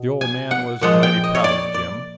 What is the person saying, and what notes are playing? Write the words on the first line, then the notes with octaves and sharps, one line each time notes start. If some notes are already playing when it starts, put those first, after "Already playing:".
The old man was mighty proud of Jim.
Already playing: B2
G#5
F#5
A#2 F3 G#3 F#5
G5
D#5
C#5
D5
D5